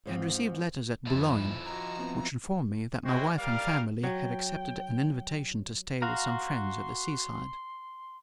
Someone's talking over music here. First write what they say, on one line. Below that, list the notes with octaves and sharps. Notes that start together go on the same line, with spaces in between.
I had received letters at Boulogne, which informed me that my wife and family had accepted an invitation to stay with some friends at the sea-side.
G#2 F3 C4
F2 F3 D#4 E4 A6
F#4 D#5 A#5
B3 C4 F4
G#3 E4 F#4 C5 G5
G3 A#4 D5 F5
F#3 G5
F#4 F5 A#5 C6